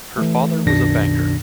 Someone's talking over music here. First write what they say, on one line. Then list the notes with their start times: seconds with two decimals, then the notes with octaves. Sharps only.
Her father was a banker.
0.18 E3 A3
0.66 C2 F#2 B2 D#3 D4 A#6